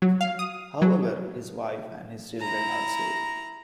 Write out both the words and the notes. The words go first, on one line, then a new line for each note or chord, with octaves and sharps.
However, his wife and his children are safe.
F#3
F5
D#6
F#3
E4 A#5